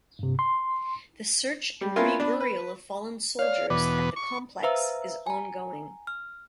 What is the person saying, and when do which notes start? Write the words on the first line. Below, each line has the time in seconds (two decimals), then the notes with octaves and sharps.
The search and reburial of fallen soldiers at the complex is ongoing.
0.19 G2 C3
0.39 C6
1.81 G3
1.96 A#3 B3 C#4 E4 F4 A#4
2.20 B3 D4
2.40 B4
3.39 C#5 D5 F5
3.70 E2 B2 B4 D6
4.16 C#6
4.63 B4 C5 E5 F5 A#5 E6
5.27 G#5 A#5
6.07 F6